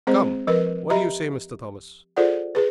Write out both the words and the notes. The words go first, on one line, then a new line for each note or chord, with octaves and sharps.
"Come, what do you say, Mr. Thomas?"
G#3 C4 G#4 C5 D#5
F3 A#4 B4 D#5
G4 D#5 E5 A#5 B5
F4 G#4 A4 C5 D5 F#5
G#4 B4